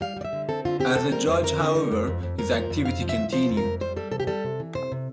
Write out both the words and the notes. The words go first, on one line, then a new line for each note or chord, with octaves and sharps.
As a judge, however, his activity continued.
G3 F5
G3 D5
E5
D3
C4 A4
D3 F4
C4 G4
C4 A4
G3 A#4
F2 C5
C4 A#4
D3
G3
F2
F2
F2
F2 A#4
F3
F2
F2 F5
F3
E5
F3
F3 C5
F2
A#4
F2
G3 C5
G3 A4
C3 A4
G4
G3 A4
C3
E3
C3 C5
C3